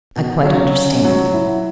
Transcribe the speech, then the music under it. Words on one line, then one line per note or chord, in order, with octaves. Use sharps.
"I quite understand."
B2
F#3
C#4
F#3
E4